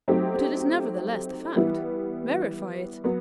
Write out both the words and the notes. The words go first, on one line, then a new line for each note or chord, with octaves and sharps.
But it is nevertheless the fact. Verify it.
F#3 A3 C4 D#4 G4
E3 G3 B3 E4
F#3 B3